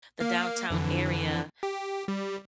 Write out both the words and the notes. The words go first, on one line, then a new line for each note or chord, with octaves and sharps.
The downtown area
A#3 F5
F2 D3 E3
G4
G3